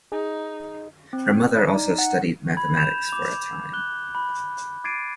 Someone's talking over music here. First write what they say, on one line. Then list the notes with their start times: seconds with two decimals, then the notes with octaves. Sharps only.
Her mother also studied mathematics for a time.
0.12 D#4 G#4
1.13 C4
1.56 D5
1.75 D#4
1.98 F#5
2.57 B5 G#6
2.75 G6 E7 F7
3.09 D6 F7
3.73 F#6 G7
4.15 B5
4.84 D6 G#6 A6 C7 D7 D#7